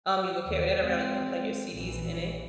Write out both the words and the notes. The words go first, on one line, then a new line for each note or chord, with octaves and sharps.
um, you would carry that around and you could play your CDs in it,
D#2
G#3 C4
A#1 E3